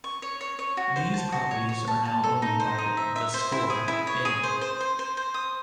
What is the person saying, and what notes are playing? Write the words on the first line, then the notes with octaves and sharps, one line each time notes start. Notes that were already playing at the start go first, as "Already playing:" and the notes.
These properties are now owned by theScore In.
C#6
C#5
C#5
C#5
F#4
C5
A5
F#4
C#5
C#5
A5
A5
A4
D#4
C5
D#4
E5
E5
C5
E4
G#4
E4
C#5
G#4
C5
C5
C5
C5
C5
D#6